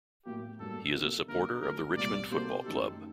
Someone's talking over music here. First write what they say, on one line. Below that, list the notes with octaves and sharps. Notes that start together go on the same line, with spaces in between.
He is a supporter of the Richmond Football Club.
A2 F#3 A#3 G4
G2 F#3 A#3 A4
C3 F#3 A#3 D#4 A4
D3 G3 A#3 D#4 A#4
D#2 D3 F#3 A3 A#4
C2 A#2 G3 D5
C3 G3 A#3 F#4 A4 C5
F#2 D#3 A3 D#4 G4 A4